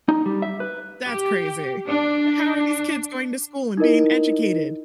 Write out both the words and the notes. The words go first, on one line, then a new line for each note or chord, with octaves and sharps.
that's crazy. How are these kids going to school and being educated?
D#4
G3
E5
B4
G4
D4
D#4 E4 A#4 D#5